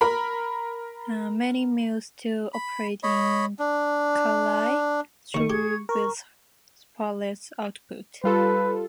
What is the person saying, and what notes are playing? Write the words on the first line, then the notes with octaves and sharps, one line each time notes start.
Many mills still operate in Kallai, though with far less output.
A#4 B5
B5
C#5 D#5 B5
D4
D#2 D#3 C#6
G4 G#4 G#6
A#4 C#6
G3 F4 A4 B4